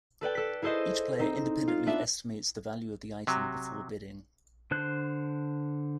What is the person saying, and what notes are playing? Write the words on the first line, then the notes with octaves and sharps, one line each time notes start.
Each player independently estimates the value of the item before bidding.
A4 B4 D5 G5
A4 B6
E4 G#4 A4 C5 D#5
C4 D#4
F4
B3 D4 E5
C3 F#3
D3 C5 F#6